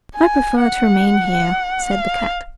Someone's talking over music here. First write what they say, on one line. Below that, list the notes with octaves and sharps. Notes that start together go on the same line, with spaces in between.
"I prefer to remain here," said the cat.
G#5
F#5
F5